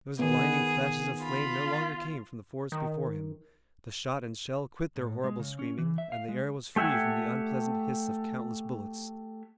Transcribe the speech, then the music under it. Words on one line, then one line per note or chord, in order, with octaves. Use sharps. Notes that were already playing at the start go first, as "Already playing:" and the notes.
Those blinding flashes of flame no longer came from the forest before him, the shot and shell quit their horrible screaming, and the air was free from the unpleasant hiss of countless bullets.
D#3 B3 G#4
F4 B5
D#3
A2
G#3
C#3
C#4
E3
E5
F5
G#3
A3 G4 E5 F#5 G#5